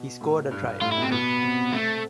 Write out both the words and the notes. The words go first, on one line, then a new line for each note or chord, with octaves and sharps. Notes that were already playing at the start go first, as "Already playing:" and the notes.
He scored a try.
Already playing: B2
A2
G2
A2 F4
E4
B2 C4
B2 B3
C3
C3 A3